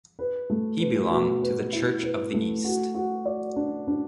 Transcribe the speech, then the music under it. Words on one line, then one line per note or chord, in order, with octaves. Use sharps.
He belonged to the Church of the East.
B4
A3
B4
B2
B4
E4
B4
A3
F#4
F#4
D5
D4
D4